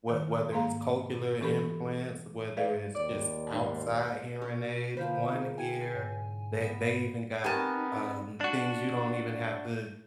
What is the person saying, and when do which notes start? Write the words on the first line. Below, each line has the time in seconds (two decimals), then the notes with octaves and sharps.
whe whether it's cochlear implants, whether it's just outside hearing aids, One Ear, they they even got, um, things you don't even have to
0.09 D#3
0.52 G#2 A#3 F5 A#5
1.41 E3 C#4 G4 A4 B5
2.57 G#4 B4 D5 E5 F5
2.95 D#2 D5
3.53 G#2
4.42 B2 C#4 F#4
4.97 D3 F3 A#3 B4 C5
5.30 D#4 G#4
5.58 E4 G5 G#5 G#6
5.95 G#2 C#5
6.61 B3 E5
7.44 B3 C4 D#4 G4 A#4 G#5 A5
8.41 D4 F#4